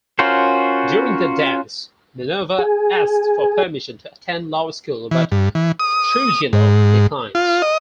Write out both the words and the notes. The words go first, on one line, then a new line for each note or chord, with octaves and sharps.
During their dance, Minerva asks for permission to attend law school, but Trujillo declines.
C#4 F4 F#4 A#4 C5
G#4
E3
G2
E3
D#6
G#2
F4
D#5